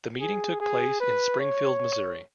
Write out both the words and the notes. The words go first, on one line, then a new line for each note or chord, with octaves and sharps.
The meeting took place in Springfield, Missouri.
G#4
G#4
B4
C#5